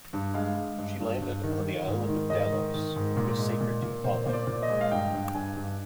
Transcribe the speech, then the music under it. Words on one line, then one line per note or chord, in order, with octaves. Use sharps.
She landed on the island of Delos, which was sacred to Apollo.
G2
G#3 F5
G#3
G2
G2
G2
D#3
D#3
G#2
D#3
G#2 D#5
D#3
D#3
G#2
A#2
G#3
A#2
A#2
A#2 C5
A#2 C5
D5
A#2
D#5
G#3
F5
G2 G5
G2
G2 G#5
G2